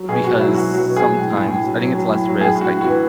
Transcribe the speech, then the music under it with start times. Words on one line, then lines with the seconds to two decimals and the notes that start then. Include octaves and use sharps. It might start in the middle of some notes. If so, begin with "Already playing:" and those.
because sometimes I think it's less risk, I can
Already playing: F#3
0.09 B2 G#4
0.23 B2 F#4
0.39 F#3 E4
0.54 F#3 F#4
0.70 F#3 F#4
0.86 B2
0.96 G#4
1.02 F#3
1.16 A2
1.32 A2
1.47 A2
1.64 F#3
1.79 F#3
1.94 F#3
2.09 A2
2.25 F#3
2.40 A2 G#4
2.55 A2
2.61 F#4
2.71 A2
2.81 F#4
2.86 E3